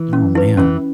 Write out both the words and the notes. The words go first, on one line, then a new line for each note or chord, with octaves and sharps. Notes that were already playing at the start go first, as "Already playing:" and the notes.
Oh man.
Already playing: E3
C#4
E4 B4
E3 C#4